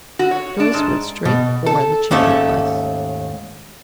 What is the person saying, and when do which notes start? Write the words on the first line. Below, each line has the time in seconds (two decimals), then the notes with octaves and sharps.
Joyce went straight for the chimney-place.
0.19 F#4
0.31 C#5
0.60 D4
0.74 G#2
1.25 B2
1.66 A4
2.11 D#2 G#2 A3 C#4 E5